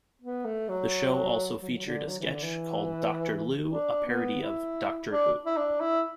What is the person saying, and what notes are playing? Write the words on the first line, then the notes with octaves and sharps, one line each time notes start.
The show also featured a sketch called Doctor Loo, a parody of "Doctor Who".
B3
A3
F#3
F#3
E3
F#3
D3
F#3
E3
D3
E3
D4
B3
E4
D4
E4
D4
E4